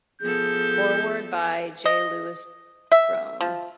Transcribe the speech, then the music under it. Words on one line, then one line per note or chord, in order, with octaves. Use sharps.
Foreword by J. Lewis Browne.
F3 B3 G#4 A4 G6
D#5
E5
F3